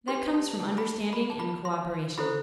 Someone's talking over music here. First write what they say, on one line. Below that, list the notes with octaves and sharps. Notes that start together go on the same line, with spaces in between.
That comes from understanding and cooperation.
D#4 G4 B4 C6
A5
A5
A5
B5
B5
A5
B5
C6
E4 A4 C5 B5